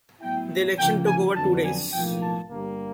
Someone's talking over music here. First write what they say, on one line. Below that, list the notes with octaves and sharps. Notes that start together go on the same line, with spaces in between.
The election took over two days.
A2 F#3 B3 E4 G5
D2 C#3 F3 A#3 G5
G#5
F2 D3 F#3 B3 D4 A5
G#5
B1 A2 F3 A#3 G5
A5
G1 G2 D3 G3 A#3